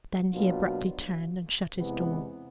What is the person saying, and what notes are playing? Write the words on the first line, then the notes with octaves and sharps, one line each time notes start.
Then he abruptly turned and shut his door.
B2 F#3 A#3 D4 F4
E2 C3 E3 G#3 B3